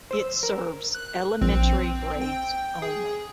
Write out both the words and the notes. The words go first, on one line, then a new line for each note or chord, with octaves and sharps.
It serves elementary grades only.
C5 E6
A#4
F#6
A#1 C4
G5
G#4